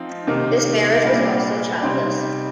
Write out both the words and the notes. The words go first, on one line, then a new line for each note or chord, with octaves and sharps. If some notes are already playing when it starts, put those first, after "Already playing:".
This marriage was also childless.
Already playing: F3 C4 D#4
C3 D#3 A#3 D#4
A#2 G3 D4
C3 G3 C4 D#4